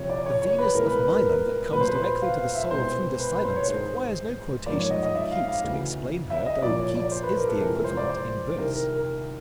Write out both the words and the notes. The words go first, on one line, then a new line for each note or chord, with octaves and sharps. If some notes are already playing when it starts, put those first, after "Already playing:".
The Venus of Milo, that comes directly to the soul through the silence, requires no quotation from Keats to explain her, though Keats is the equivalent in verse.
Already playing: C2 C3 F3 C#5
D5
C#5
C#5
B4
A2 E3 G#3 B3 A#4
B4
B4
A#4
A#4
A#4
A#2 F#3 A3 B4
C5
B4
C5
B4
F5
F5
E5
C2 B2 G#3 B3 C5
B4
B4
C5
C#5
G#2 D#3 G#3 C5
G#2 F3 A#3 D5
C#5
D#5
D#5
E5
F5
F5
D2 C#3 E3
E5
D#5
C2 A#2 F3 D5
C#5
D5
C5
B4
A#4
A4
F2 C3 E3 G#3 A#4
C5
D5
C5
C2 C3 D#3 A#4
A#4
A#4